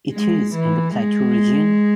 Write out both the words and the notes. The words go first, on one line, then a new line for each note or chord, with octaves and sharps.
It is in the plateau region.
G#3
E3
G#3